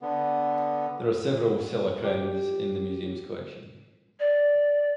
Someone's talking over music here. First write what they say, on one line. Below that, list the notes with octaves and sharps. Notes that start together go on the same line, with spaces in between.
There are several Silla crowns in the museum's collection.
D3 B3
G4
D5